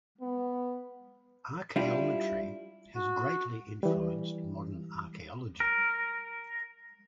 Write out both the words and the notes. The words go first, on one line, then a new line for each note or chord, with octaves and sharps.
Archaeometry has greatly influenced modern archaeology.
B3
G3 D4 E4 F4
F#4
E3 G3
A#4